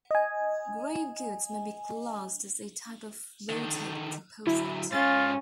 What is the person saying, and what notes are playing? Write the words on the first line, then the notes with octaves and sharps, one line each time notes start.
Grave goods may be classed as a type of votive deposit.
D#5 G#5
D3 D#3
D3 F#3 E4
G#2 C#4 F4 F5 A6